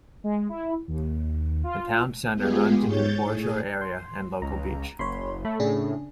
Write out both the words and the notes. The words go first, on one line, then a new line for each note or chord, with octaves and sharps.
The town centre runs into the foreshore area and local beach.
G#3
E4
D#2
F4
G#3 B3 F4 G4 G#4
G#2 C#5 G6 A6
A2 G#4
C6
C#2 A#5
F#1 C#5 B5 C6
A3 B5
A2 C#3 D4 G#4